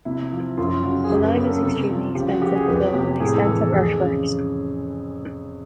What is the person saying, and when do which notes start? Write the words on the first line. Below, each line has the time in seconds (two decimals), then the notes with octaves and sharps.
The line was extremely expensive to build with extensive earthworks.
0.05 C3 E4
0.32 F3
0.57 F#2 F4
0.84 C#3 F#4
1.04 G#4
1.10 F#2 G4
1.23 B4
1.35 C#3 A#4
1.46 A4
1.63 C3 A4
1.89 F3
2.15 C#3 G4
2.28 F#4
2.41 F3 G4
2.55 G#4
2.68 F2 B4
2.94 C3 G4
3.20 A2 G#4
3.34 A4
3.47 E3 G#4
3.62 A4
3.73 F2 G#4
3.99 C#3